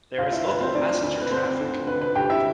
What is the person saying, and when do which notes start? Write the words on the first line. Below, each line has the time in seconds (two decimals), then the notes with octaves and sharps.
There is local passenger traffic.
0.18 D2 F4 F5
0.32 E4 E5
0.47 D2 B4
0.60 C4 C5
0.75 D2 D4 D5
1.03 D2
1.21 B4
1.31 A3 C4 C5
1.59 D3
1.87 D3 B4
2.01 B4
2.15 D2 G4 G5
2.30 E4 E5